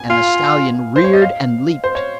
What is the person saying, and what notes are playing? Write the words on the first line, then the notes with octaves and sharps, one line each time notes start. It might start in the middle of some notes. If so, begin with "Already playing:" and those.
And the stallion reared and leaped.
Already playing: G#5
F4 F5
C5
C#5
D#5
F5
C5
C#5